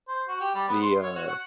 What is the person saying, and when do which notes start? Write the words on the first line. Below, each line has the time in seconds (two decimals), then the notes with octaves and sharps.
the, uh
0.08 C5
0.28 F#4
0.41 G4
0.55 G3
0.68 B3
0.82 C6
1.02 C#5
1.16 F#4
1.29 F#5